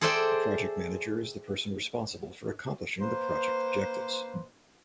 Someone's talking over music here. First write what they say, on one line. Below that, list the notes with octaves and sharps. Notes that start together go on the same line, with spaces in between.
A project manager is the person responsible for accomplishing the project objectives.
G#4 A4 C5 D5 E5 G5
A#3 B4 C5